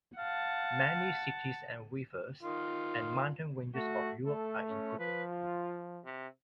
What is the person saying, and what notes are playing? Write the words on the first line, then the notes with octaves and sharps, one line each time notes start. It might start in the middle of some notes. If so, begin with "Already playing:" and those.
Many cities and rivers, and mountain ranges of Europe are included.
F5 F#5 A5
D#3 F4
A3 F#4
A3 A4
C#4
F3 B4
F4
C3